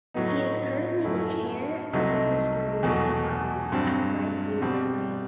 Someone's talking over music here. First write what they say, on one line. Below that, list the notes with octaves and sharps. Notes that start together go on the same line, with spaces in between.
He is currently the chair of the history department at Rice University.
A2 F#3 B3 D#4
F#2 F#3 A3 E4
C2 C3 F#3 A3 D#4
E2 B2 F#3 A3
G2 F#3 C4
B2 G3 C4